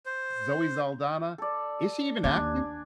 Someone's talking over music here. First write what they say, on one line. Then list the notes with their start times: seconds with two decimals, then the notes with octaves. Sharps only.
Zoe Saldana, is she even acting?
0.06 C5
1.38 A4 D5
2.24 D#2 D4 G#5